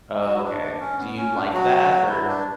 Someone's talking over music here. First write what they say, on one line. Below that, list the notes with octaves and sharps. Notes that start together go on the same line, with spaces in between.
Oh, okay. Do you like that? Or
F#3 F#4
E4
D4
D4
C#4
B3
C#4
D4
F#3 F#4
E4
D4